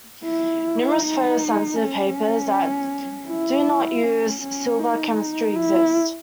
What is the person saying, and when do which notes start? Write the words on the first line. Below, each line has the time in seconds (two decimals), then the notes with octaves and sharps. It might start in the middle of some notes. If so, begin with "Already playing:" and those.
Numerous photo sensitive papers that do not use silver chemistry exist.
0.24 E4
1.01 D#4
1.76 C#4
3.27 E4
4.04 C#4
4.41 C#4
4.79 D#4
5.55 E4